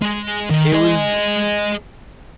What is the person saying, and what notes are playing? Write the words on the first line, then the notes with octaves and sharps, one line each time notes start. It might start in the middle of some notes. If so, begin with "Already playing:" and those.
It was
G#3
D#3
G#4 D#5